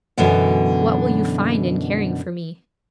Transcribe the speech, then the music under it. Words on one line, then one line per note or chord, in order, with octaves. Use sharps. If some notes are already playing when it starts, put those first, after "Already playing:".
What will you find in caring for me?'
F#2 B2 D3 E3 B3 C#4